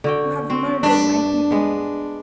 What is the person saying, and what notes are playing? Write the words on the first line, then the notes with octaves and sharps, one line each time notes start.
You have murdered my people!
D3 F#4 G5
C4 F#4 C5
G2 D4 B4
G#3 B3